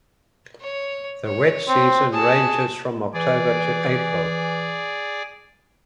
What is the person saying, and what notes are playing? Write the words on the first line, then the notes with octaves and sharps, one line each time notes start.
The wet season ranges from October to April.
C#5
C#5
C4
F#4 G#4 A5
E3 G#4 D5